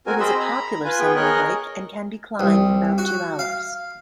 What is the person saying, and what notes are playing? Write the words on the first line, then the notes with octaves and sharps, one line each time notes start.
It is a popular Sunday hike, and can be climbed in about two hours.
C4 F#4 A#4 G#5
C4 G#4 C5 D#5 B5 E6
A#5 B5
F4 B4 G#5
B3 G#4 G5
G#4 A#4 C#5 D#5 F#6
C2
F#4
F5